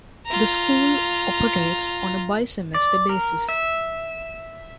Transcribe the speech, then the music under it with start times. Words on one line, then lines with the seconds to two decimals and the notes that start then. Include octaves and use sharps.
The school operates on a bi-semester basis.
0.26 F4 A#5
2.74 D5
3.09 A#4
3.49 E5